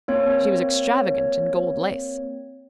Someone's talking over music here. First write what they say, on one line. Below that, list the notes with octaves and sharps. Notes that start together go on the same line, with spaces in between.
She was extravagant in gold lace.
A#3 C4 C#5